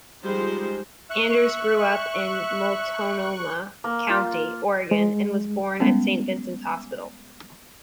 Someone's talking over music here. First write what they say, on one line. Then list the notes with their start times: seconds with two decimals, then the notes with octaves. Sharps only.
Anders grew up in Multnomah County, Oregon and was born at Saint Vincent's Hospital.
0.23 F3 G3 G#3 D#4 C5
1.10 E5 C#6 F#6
3.84 A#3
4.10 F4
4.91 G#3
5.80 G3 G#3 B3 C#4